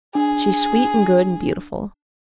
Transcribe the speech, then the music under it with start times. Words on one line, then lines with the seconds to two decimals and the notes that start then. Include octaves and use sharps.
She's sweet and good and beautiful.
0.15 D4 G#4